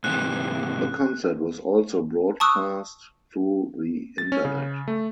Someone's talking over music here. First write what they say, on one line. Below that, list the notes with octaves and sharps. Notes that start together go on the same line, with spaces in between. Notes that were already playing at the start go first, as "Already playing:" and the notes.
The concert was also broadcast through the Internet.
G#2 C3 E3 F#6
A5 C#6 D#6 E6 F#6
A6
C#4
C#3
A3